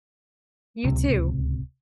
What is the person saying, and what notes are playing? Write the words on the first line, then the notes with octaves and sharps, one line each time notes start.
You, too.
D1 C#2 C3